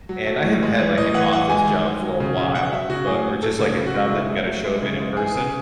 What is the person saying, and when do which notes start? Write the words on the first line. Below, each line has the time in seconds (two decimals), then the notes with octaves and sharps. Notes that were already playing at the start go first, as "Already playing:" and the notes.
and I haven't had, like, an office job for a while, but or just, like, a job that you gotta show up in in person
0.09 F#3
0.26 A3
0.44 A2
0.63 G#3
0.79 E3
0.97 A2 D#5
1.14 E3 F#5
1.32 E3 F#5
1.49 G#3 G#5
1.66 D#3
1.85 G#3
2.02 F#3
2.20 C#3
2.37 C#3
2.54 C#3 F#5
2.72 F#3 E5
2.89 C#3 F#4
3.07 A2 G#4
3.24 F#3
3.43 A2 A4
3.59 C#3 A4
3.77 C#3
3.86 F#4
3.94 G#3
4.12 C#3 E4
4.30 A3
4.47 F#3
4.64 G#3
4.82 C#3
5.00 G#3
5.17 E3 G#4
5.35 C#3